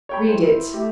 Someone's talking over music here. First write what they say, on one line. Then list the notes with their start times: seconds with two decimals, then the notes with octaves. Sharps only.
"Read it."
0.09 C#5 G5 B5
0.28 E4 C5
0.74 A3 G4